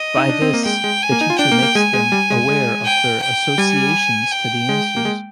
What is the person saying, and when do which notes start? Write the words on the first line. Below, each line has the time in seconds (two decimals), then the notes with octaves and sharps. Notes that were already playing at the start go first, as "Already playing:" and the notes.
By this the teacher makes them aware of their associations to the answers.
Already playing: D#5
0.17 D#4
0.29 D4
0.42 C4
0.54 A#3
0.65 G#3 G5
0.84 G#3
1.03 G#5
1.12 A#3
1.21 D#4
1.30 F4
1.38 D4 G5
1.51 A#3
1.62 A#3
1.75 G#3 G#5
1.93 G#3
2.12 G3
2.30 G#3
2.48 G#3
2.85 G5
3.22 G5
3.58 G3 G#5
4.32 G5
4.69 G#3
4.96 A#3
5.05 G#3